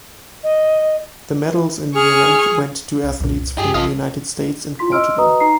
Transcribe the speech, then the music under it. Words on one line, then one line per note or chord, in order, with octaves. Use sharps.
The medals in the event went to athletes from the United States and Portugal.
D#5
G#4 G#5 C#6 F6
C2
B1 E2 A#2
C2
G2 G4 G#4
A#1 F4 A4 D#5 D#6
E4 F4 C6 B6
D#5 C6 E6 F6 D7
F#4 B4 D#5 A#5 D#6
D#4 A#5 C7